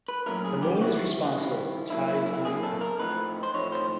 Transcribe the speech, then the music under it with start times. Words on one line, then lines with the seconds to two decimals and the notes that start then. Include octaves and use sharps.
The moon is responsible for tides on earth.
0.08 B4
0.26 A#2 F#3 A3 C#4 E4 A#4
0.44 G#4
0.62 G4
0.76 G4
0.81 D#3 G3 C4 E4 F#4
1.36 D#3 G3 C4 E4
1.90 F#3 A#3 D4 E4
2.08 E4
2.26 E4
2.45 F#3 A#3 D4 G#4
2.63 A4
2.81 A#4
2.99 A2 F3 A3 C4 D#4 B4
3.43 C5
3.54 A2 F3 A3 C4 D#4 C#5
3.72 C5